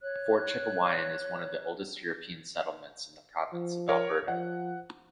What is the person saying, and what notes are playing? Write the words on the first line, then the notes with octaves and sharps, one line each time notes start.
Fort Chipewyan is one of the oldest European settlements in the Province of Alberta.
C#5 F#6
F3
A#4 C#5
F3 F#5